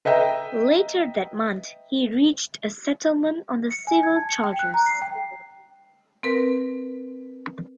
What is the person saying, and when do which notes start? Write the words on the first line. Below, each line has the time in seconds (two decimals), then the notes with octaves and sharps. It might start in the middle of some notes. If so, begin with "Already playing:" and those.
Later that month he reached a settlement on the civil charges.
0.05 B4 D#5 E5 G5 A#5
3.71 C#7
3.87 G#5
4.03 G#6
4.16 A5
4.29 C#7
4.44 G5
4.59 F#6
4.74 A#5
4.86 C7
5.02 G5
6.23 C4 A#4 B4